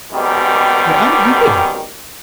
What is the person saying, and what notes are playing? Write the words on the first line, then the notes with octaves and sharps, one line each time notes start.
The idea!
G#1 F#2 B2 D#3 G3 G4